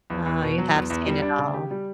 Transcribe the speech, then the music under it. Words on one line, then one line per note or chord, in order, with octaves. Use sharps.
Oh, you have seen it all.
E2
E2
B2
F#3
E2
E2
G3
D4
C#3
G4
G3